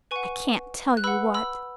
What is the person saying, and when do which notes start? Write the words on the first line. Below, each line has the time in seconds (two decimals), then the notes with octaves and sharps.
I can't tell you what.
0.11 B4 F#5 G#5 C#6
0.97 F#6
1.04 B4 F#5 B5 E6
1.34 B5 E6